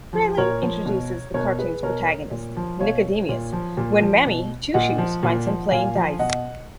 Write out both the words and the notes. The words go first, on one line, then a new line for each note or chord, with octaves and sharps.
Freleng introduces the cartoon's protagonist, Nicodemus, when Mammy Two-Shoes finds him playing dice.
F3
A#2 A#4 C#5
F3
B2
B2 A#4 C#5
G#4 B4
B2 A#4 C#5
A#2
F3
B2 C#5 F5
A#2
F3
A#2
F3
B2
A#2 D#5 F#5
F3
A#2
F3
A#2 F5 G#5
F3
B2 D#5 F#5